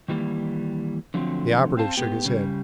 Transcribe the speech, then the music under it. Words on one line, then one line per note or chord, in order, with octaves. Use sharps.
The operative shook his head.
D#3 E3 G3 A#3
D3 F3 F#3 A3 B3 C4
C4 C5 F5 A5
G#2 B3 G4
C#3 G3